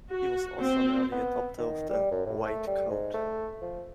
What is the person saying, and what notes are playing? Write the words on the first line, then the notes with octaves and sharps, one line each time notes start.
He was also an early adopter of the "white coat".
F#4
C4
B3
D#3
G3
F#2
A2
A3
G3
G#2
A3
F3